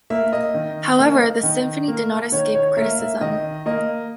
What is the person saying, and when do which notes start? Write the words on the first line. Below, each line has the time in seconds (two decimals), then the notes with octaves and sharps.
However, the symphony did not escape criticism.
0.10 A#3 E5
0.33 D#5
0.54 D#3
0.99 A#3
1.43 D#3
1.88 A#3
2.32 D#3 C#5
2.55 C#5
2.77 A#3 E5
2.99 E5
3.21 D#3 D#5
3.66 A#3 D#5